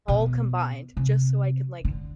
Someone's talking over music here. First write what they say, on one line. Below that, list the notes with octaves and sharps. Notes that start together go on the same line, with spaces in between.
all combined, just so I can, like,
B2
C3
D3